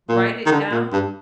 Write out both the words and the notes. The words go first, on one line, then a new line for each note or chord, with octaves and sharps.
write it down,
A#2
D#3
D3
A#2
G2